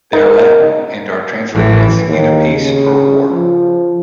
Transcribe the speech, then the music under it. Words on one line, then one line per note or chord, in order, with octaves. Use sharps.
They are Latin and are translated as, "Either Peace or War".
D#4 A#4
A1 A2 E3
D#2
C#3
F3